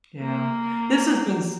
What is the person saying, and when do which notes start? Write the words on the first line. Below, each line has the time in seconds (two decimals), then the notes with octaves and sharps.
Yeah, this has been s
0.21 A#3